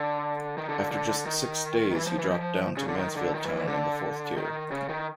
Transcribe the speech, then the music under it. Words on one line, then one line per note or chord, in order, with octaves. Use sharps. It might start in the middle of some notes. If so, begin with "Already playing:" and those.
After just six days he dropped down to Mansfield Town in the fourth tier.
Already playing: D3
D#3
D3
D3
D3
D#3
E3
F3
E3
F3
C#3
D3
D#3
D3
D#3
E3
E3
D3
D#3
C#3
D#3